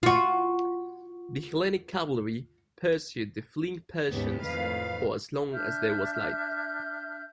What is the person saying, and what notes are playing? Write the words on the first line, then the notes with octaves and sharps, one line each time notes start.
The Hellenic cavalry pursued the fleeing Persians for as long as there was light.
F4 F#4
D#2 G#2 C#3 G#3 B3 G4
F2 A2 D#3 B4 F5
D4 E5 F6 G6